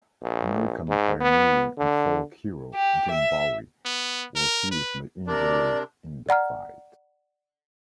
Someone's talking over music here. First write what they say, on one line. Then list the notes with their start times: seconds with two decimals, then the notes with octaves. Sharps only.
American pioneer and folk hero Jim Bowie was seriously injured in the fight.
0.22 A#1
0.89 G#2
1.21 B3
1.78 D3
2.75 G4
3.11 E5
3.85 B3
4.36 A#4
4.71 B4
5.27 C3 D4 A#4 D5
6.29 D5 F#5 A#5 F6